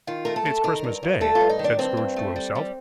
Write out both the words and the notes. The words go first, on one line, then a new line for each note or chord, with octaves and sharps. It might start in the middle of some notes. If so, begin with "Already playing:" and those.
'It's Christmas Day!' said Scrooge to himself.
D#3 F4
A3 A#4
A4
A3
D#3 A#4
G2
G2
A3 A4
F4
G2
D#4
D#3
D4
G2 C4
G2
A3
G3
G3